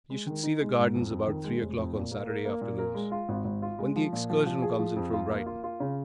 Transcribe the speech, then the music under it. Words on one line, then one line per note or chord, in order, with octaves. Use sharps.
"You should see the gardens about three o'clock on Saturday afternoons, when the excursion comes in from Brighton."
G#3
D#3
D#4
G#3
G#2
F2
F2
D#3
G#3
F1
F2
A#2
A#3
A#4
A#3
A#2
A#4
G#3
F4
G#1
G#1
F4
G#3
F3
A#2
F3
F3
G#4
F3
F2
F4
A#3
F4
F4
C#3